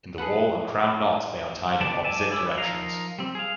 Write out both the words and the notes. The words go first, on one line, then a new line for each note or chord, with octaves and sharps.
In the wall and crown knot they are tied in opposite directions.
G#4 A4 B4 F#5
D3 G3 B3 D5 A5
D5 E5 G#5 A5
C#5 B5 D6 E6
F3 D#4 A#4 F5 A#5
G3 C4
G#4 F5